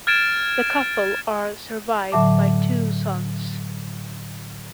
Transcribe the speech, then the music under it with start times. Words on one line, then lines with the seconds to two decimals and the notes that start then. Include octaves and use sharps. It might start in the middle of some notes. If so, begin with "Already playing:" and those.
The couple are survived by two sons.
0.07 F6 G#6 A6 D7 E7
2.12 A2 D3 F#3 E5 A5 D6